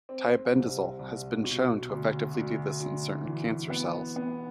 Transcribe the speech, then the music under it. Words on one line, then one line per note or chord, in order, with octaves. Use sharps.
Tiabendazole has been shown to effectively do this in certain cancer cells.
C4
C2
C2
B2
D2
D2
D2
E3
B3
B3